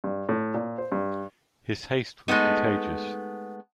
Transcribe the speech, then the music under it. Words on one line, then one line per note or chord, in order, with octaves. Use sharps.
His haste was contagious.
G2
A2
A#2
C5
G2
G#3 A3 B3 D#4